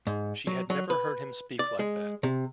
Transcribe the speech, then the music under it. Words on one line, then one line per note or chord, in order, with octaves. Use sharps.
She had never heard him speak like that.
G#2
F#3
F#3
B4
D5
G#3
C3